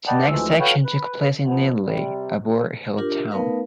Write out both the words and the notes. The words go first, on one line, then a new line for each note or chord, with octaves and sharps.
The next action took place in Lindley, a Boer held town.
B4 D5 D#5 F#5 G5 A5
D2 E3 F3 G#3 A3 E6
F#4 A4 B4 C#5 F5 G5
B4
F3 B3
C3 G3
D4 F4 G4 A#4
A3 B3 D#4 A#4 B4 F5